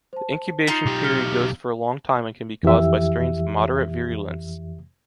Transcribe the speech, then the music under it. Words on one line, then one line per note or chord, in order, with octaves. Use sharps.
The incubation period goes for a long time and can be caused by strains of moderate virulence.
C5 A5
D#4 F4 C7 C#7 G7
B1 G4
F6 C#7 G7
F2 E3 G4 E5